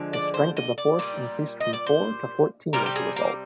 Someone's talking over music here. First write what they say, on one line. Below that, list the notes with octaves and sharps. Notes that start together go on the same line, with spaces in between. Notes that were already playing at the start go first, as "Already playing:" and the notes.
The strength of the force increased from four to fourteen as a result.
Already playing: D3 F3 G#3
D5
C5
D#5
D5
A#2 G3
D#5
D5
C5
C3 G3 A#4
G4
G#4
A#3